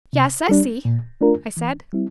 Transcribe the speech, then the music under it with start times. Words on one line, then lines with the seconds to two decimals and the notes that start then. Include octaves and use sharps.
"Yes, I see," I said.
0.13 C3
0.49 G3 D4
0.85 A#2
1.21 A3 D4 F4 A#4
1.57 E3
1.93 G3 C4 E4